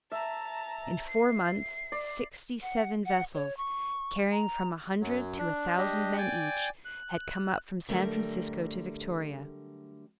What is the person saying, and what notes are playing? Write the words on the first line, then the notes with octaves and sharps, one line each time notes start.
In four months sixty-seven vessels, carrying from a hundred to a thousand men each, had come up from San Francisco to Victoria.
E5 A5 A#5
C7
D5
F#5
F#5
C#5
C#6
A#5
F#2 F#3
D4
D4 G4 D#5
D5 G5 G#5 D6
F#6
D3 F#3 G3 A3 A#4